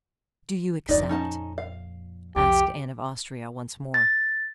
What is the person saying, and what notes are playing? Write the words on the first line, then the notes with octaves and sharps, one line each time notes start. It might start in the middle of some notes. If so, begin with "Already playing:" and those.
"Do you accept?" asked Anne of Austria, once more.
F2 A#2 D#4 D5
C#4 D#4 A5
F5
C2 F2 G4
A6